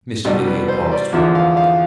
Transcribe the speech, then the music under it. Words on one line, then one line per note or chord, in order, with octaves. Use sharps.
Mr. Villiers paused for a moment.
C2 B2 G3 D4
B4
C5
D5
E2 D3 F3 E5
F5
F5